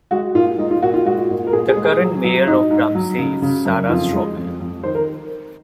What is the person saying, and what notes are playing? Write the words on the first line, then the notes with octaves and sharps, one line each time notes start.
The current mayor of Ramsey is Sarah Strommen.
G#3 F#4
A#2 F4
G#3 D#4
F4
A#2 F#4
F4
G#3 F#4
A#2
A#4
A#2 G#4
G#4
G#3
G#4
F#3
F#3
G#2 D#4
G#2
F#3
C#3
C#3
F#2
F2 F4
G#3
F2
F2
D#3 C5
A#4